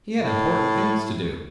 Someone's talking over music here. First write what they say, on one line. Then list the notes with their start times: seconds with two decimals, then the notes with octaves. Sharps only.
He had important things to do.
0.15 A2